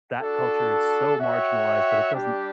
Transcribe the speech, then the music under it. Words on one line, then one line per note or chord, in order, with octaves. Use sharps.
that culture is so marginalized that it doesn't
D4 F#4 A4
F#4 C#5 E5 G5
G3 D4 G4